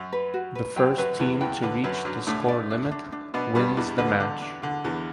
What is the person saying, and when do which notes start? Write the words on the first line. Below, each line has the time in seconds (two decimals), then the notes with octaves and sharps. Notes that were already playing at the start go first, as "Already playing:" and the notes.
The first team to reach the score limit wins the match.
Already playing: F#2 F#3
0.13 B4
0.34 F#4
0.55 B4
0.76 F#2 F#3 G5
0.98 F#2 F#3 B4
1.19 E2 E3 B4
1.41 E2 E3 G5
1.62 D3 B4
1.84 F#2 F#3 B4
2.05 F#2 F#3 D4
2.27 A2 A3 D4
2.48 D5
2.70 D4
2.91 D4
3.12 D4
3.34 B2 B3 D4
3.55 G2 G3 B4
3.77 E2 E3 D4
3.98 D3 B4
4.20 D3 D4
4.41 D4
4.62 D3 D4
4.84 E2 E3 D4